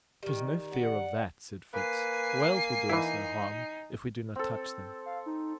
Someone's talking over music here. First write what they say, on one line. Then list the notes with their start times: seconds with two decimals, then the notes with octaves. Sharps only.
"There is no fear of that," said Fritz; "whales will do us no harm, if we do not touch them."
0.23 D#3 G3
0.72 D5 F#5
1.74 A#3 B4 G#5 C7
2.89 E3 D#4 E4
4.36 C4 A4
5.06 F5
5.26 D#4